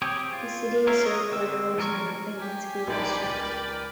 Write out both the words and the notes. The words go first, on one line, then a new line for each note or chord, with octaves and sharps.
The city is served by the Rotan Independent School District.
C4 G4 G#4 C#5
F4
C#4 A#4 C#5 E5 F5
D#5 C#6 D#6
D3 C4 E6
F3 G3 A#4 C#5 C#6
G4 G#5
A#1 C4 D4 D#4 B4 D5 D7
C#2 A#4 G5